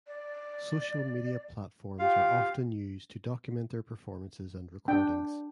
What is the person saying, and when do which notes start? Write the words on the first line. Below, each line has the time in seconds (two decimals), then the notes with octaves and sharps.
Social media platforms are often used to document their performances and recordings.
0.08 D5
1.99 F4 G4 F5
4.88 D4 G5